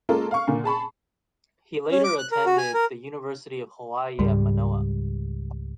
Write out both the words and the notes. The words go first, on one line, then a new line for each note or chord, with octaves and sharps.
He later attended the University of Hawaii at Manoa.
G#3 A#3 C#4 F4 A4 A#4
F5 C#6
A#2 D3 A#3
G#4 A5 B5 C#6
C#4
D6
F#6
A#4
F#4
G#5
A#4
C#2 G#2 G3